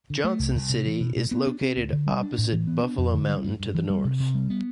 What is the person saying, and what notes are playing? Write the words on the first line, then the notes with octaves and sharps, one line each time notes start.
Johnson City is located opposite Buffalo Mountain to the north.
D3
A3
C2
C2
C3
E3
B2
B2
B3
D4
C4
D2
D3
G3
D4
A2
E3
B3
D4
F2
D3
G3
G2
G2
E3
G3
C3
C3
G3
B3